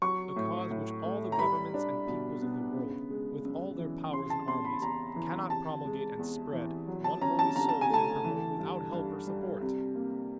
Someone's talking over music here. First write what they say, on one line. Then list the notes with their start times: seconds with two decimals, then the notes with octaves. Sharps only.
A Cause which all the governments and peoples of the world, with all their powers and armies, cannot promulgate and spread, one Holy Soul can promote without help or support!
0.02 F#3 C#6
0.36 A2
0.71 A2
1.05 A3
1.32 A#5
1.39 G3 B5
1.74 D4
2.07 B2
2.42 B3
2.76 C#3
3.10 G#3
3.45 F#2
3.79 E3
4.13 C#3 C6
4.30 A5
4.47 E2 C6
4.65 B5
4.82 E2 A#5
5.16 E3
5.50 C3 A5
5.85 G#3
6.19 E2
6.53 E3
6.88 F#3
7.04 A5
7.21 C#4 A#5
7.39 A5
7.56 D3 A#5
7.69 A5
7.81 G#5
7.90 A3 A5
8.25 E3
8.59 G2
8.93 G2
9.27 G3
9.61 C3
9.95 A#3